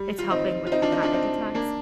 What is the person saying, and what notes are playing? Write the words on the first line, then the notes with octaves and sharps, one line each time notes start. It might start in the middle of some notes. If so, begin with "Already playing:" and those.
It's helping with the panic attacks?
Already playing: G3
F4
C4 D#4
F4
C4 D#4
D4 F4
C4 D#4
D4 F4
C4 D#4
A#3 D4